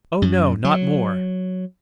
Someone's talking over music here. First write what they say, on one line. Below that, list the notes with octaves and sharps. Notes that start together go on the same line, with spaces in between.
"Oh, no, not more!"
F#2
F#3